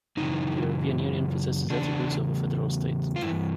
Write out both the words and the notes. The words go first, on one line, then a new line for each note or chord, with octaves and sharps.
The European Union possesses attributes of a federal state.
F#2 C#3 E3 D#4
E2 C#3 D4
F4
G2 E3 E4